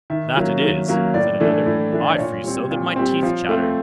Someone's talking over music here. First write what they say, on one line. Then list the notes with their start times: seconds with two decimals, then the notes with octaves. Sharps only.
'That it is', said another; 'I freeze so, that my teeth chatter.'
0.10 D#3 E5
0.36 F#3 A#3 C#4
0.62 D#3
0.88 F#3 A#3 C#4
1.14 A2 D5
1.40 E3 A3 D4
1.66 A2
1.92 E3 A3 D4
2.18 A#2 C#5
2.44 G3 C4
2.71 A#2
2.96 G3 C4
3.23 F3
3.49 A3 C4